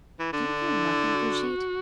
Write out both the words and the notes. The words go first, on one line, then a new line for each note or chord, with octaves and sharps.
Do you hear nothing, Brigitte?
E3
D3 D4
E4
F#4